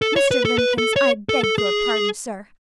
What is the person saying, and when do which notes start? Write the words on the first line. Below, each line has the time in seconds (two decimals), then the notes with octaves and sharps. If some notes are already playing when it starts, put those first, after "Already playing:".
'Mr. Limbkins, I beg your pardon, sir!
0.02 A4
0.16 C#5
0.31 B4
0.45 A4
0.58 B4
0.78 A4
0.96 C#5
1.29 A4
1.44 A4
1.58 G#4